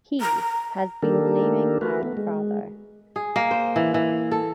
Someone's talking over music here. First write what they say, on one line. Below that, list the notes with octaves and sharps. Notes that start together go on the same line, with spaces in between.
He has been blaming our father.
A#5
D#3 A#3 D4 G4 A4 A#4
A3 F#4 A#4 B4
A3 B3
G#3
G#4
A#3
C5
E3
E3
A4